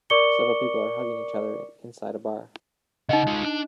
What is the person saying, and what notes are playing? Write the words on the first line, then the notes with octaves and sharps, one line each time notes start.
Several people are hugging each other inside a bar.
A#4 D5 C#6 D6 C#7 G7
C#3 D#4 D#5 F#5
G#3 F4
D4